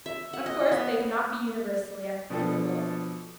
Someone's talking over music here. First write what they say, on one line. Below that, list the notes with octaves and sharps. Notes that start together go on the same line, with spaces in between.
Of course, they cannot be universally applicable.
E5
F#5
D#5
B3
B2 F3 D4 A4